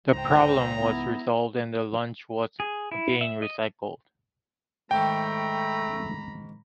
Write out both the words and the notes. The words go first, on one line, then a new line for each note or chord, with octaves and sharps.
The problem was resolved, and the launch was again recycled.
C#2 G#2 C5 G5 A#5
B3 E4
G#4
E4
E5
D#5
G#2 D#3 A3 G5 A#5 B5